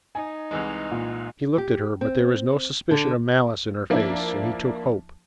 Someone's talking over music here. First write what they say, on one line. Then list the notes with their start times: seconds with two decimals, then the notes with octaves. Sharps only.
He looked at her, but there was no suspicion of malice in her face, and he took hope.
0.15 D#4 G#5
0.51 C2 E3 G#3
0.91 A#2
1.58 G4
2.01 C4
2.91 D3
3.90 F3 A#3 D4 E4